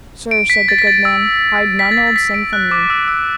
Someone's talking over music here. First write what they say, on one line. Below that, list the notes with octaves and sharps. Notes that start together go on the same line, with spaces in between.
Sir, said the good man, hide none old sin from me.
D7
B6
A6
B6
A6
E6
B6
A6
B6
A6
B6
D7
F#6
D6
E6
E6